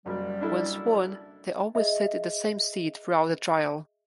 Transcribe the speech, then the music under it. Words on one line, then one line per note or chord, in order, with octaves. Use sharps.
Once sworn they always sit in the same seat throughout the trial.
F#1 F#2 G3
D4 E4 A4
G#4 D#5 E5